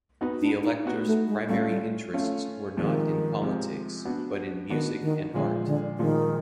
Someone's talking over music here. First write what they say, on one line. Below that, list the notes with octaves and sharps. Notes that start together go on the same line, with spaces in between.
The elector's primary interests were not in politics, but in music and art.
B3 D#4 F#4 B4
D4
D#4
B3 D#4 F#4 B4
A3
G#3
G3 A3 C#4 F4
G3
A3 C#4 F4
C3 D#3 F3 G#3
C3 F3 G#3
B3 D4 F#4
D#3 B3 D4 F#4
D#3
A#2 D3 F3 G#3
D3
A#2 D#3 F3 G#3